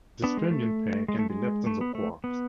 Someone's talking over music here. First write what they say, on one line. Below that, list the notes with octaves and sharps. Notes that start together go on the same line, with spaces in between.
This fermion pair can be leptons or quarks.
B3 D4
G#3
A3
G#3
A3
G#3
A3
B3
A3
B3